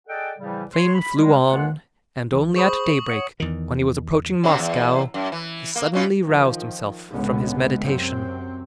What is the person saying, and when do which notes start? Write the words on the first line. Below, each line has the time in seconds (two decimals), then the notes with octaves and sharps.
The train flew on, and only at daybreak, when he was approaching Moscow, he suddenly roused himself from his meditation.
0.08 G#4 A4 D5 D#5 F#5 G5
0.39 A2 C#3 E3 F3 G3
0.74 C#5 C6
0.94 B5
1.16 G3 G#3
1.49 D#2 D#3 E3 G#3 F4 F#5
2.33 C#2 E3
2.56 G#4 C5 B5 C#6 D#6
3.10 C#5 F#5 C#7
3.40 E2 D#3
4.44 F#2 C3 F#3
4.59 E2
5.14 F#2
5.32 E3
5.76 A#3
5.93 B2 C#4 F4
6.24 D#3 F3
7.11 C#2 A2 D3 G#3 B3 C#4
7.82 F#2 C3 F#3 C4